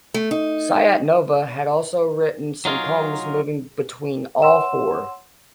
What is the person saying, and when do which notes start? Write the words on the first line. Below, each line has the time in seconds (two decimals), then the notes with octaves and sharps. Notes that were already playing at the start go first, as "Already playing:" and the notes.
Sayat Nova had also written some poems moving between all four.
0.14 A3
0.31 D#4
2.65 F#3 D#4 F4 G#4 A#4
4.42 C#5 F#5 C6 E6 E7